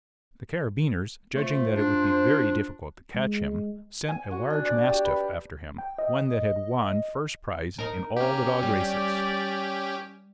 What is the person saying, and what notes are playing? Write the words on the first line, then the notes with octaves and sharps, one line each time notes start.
The Carabineers, judging that it would be very difficult to catch him, sent a large Mastiff after him, one that had won first prize in all the dog races.
A3 F4 C5
D4
G#3
G#5
F#4
D4
D5
G4
B4
G5
D#5
D#4 A#4
A#3 C#4 G4
G3 D5